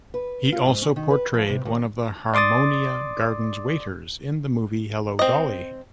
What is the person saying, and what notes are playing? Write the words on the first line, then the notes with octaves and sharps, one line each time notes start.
He also portrayed one of the Harmonia Gardens waiters in the movie Hello Dolly!
B4
F4
G#2
C#4
D#3
B4
F3
C3
D#2
D5 C6 D6 D#6 A6
C4 D#5